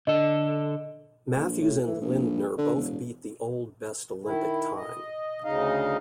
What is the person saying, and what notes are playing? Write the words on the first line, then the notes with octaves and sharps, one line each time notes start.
Matthews and Lindner both beat the old best Olympic time.
D3 A4 D#5
A#1
A2
E3
A#1
D3
E1
D#3 E4
D#5
D2 C#3 D#4 D#5 F5